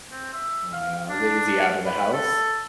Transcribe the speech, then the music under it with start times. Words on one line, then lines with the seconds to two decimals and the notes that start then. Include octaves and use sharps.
Wow, they is he outta house?
0.11 C4
0.33 E5
0.73 F5
1.09 D4
1.85 B4
2.13 A4